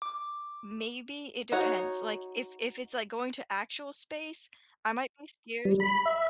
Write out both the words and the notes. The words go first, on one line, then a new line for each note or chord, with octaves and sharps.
maybe it depends, like, if if it's, like, going to actual space, I might be scared,
D6
D#4 F#4 C#5
G3
B5
E5